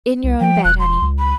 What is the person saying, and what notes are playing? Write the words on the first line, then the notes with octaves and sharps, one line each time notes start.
"In your own bed--honey."
C2
F3 G5
E1 F#6
C6
C#2
B5